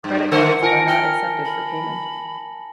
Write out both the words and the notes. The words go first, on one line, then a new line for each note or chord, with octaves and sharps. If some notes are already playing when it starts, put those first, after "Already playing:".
Credit cards are not accepted for payment.
G2
D3 A3 A#4 C5 F#5
F4 A#4 G#5 A5 A#6
G5 F6 C#7 G7
B5